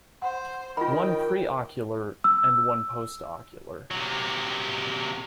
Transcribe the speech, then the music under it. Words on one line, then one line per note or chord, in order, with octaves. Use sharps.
One preocular, and one post ocular.
C5 F#5
D#3 F4 G5 B5
E6
C3 F#3